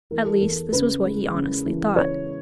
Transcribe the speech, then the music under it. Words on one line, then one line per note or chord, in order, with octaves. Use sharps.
At least, this was what he honestly thought.
E3 A#4
A4
E2 A#4
C#3 B4
G#3
C#3
E3
C#3 C#5